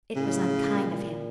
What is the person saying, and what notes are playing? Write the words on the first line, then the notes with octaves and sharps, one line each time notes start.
It was unkind of him.
A2 C#3
A#2